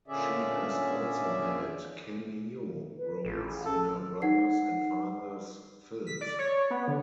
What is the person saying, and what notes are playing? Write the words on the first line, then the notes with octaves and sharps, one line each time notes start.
She has also had cameo roles in her brothers' and father's films.
A#2 D3 C#4 G#4 D5 E5
B4
A1 G#4
C#4 A4
D#4 F#5 C7
B6
D5
C#5
B3
D3